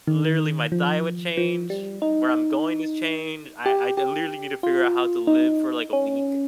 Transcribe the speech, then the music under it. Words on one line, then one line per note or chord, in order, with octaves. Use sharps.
Literally, my diet would change, where I'm going is change. I I literally need to figure out how to live for, like, a week,
D#3
F3
F3
G3
D#4
G4
G4
F4
D#4
C#4